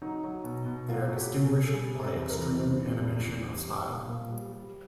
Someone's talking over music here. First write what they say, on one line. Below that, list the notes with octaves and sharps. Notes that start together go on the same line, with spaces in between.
They are distinguished by extreme animation of style.
F#3 D#4
F#3
B2
B2
F#3 F4
F#3
G4
B2
G#4
B2
A4
G3 G#4
C3
A4
E2
A#4
E3
G3 C5
C3
E2
E3
G3
G3
A#2
A#2
G3
G3